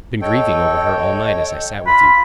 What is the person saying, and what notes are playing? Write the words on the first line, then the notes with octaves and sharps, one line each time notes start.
I've been grieving over her all night as I sat with you....
A4 C#5 D#5 G5
F4 B5